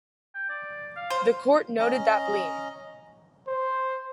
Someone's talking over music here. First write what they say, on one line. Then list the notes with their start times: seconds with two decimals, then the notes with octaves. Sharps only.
The court noted that Bleem!
0.35 G5
0.49 D5
0.96 F5
1.10 C5
1.79 C#4 D#5 A#5
3.47 C5